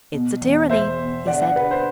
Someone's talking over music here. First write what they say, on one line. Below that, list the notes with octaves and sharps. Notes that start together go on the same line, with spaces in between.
"It's a tyranny," he said.
B2
E2
B2 C5 E5
B2
D3 D5 F#5
D5 F#5
D3 B4
C5